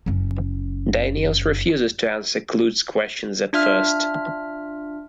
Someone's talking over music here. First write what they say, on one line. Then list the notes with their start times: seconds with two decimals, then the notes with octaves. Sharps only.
Daniels refuses to answer Klute's questions at first.
0.06 F#1 C#4
3.53 D4 F4 E5 F6